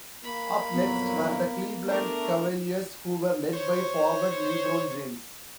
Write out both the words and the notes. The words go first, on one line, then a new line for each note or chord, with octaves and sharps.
Up next were the Cleveland Cavaliers, who were led by forward LeBron James.
A#3 B5
F2 A#2 F#3 B3
A3 D4 A#4
C5 C#5